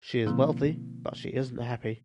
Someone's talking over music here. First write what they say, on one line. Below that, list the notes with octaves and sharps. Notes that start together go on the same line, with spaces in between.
She is wealthy but she isn’t happy.
B2 D3 F3 A#3 C4 E4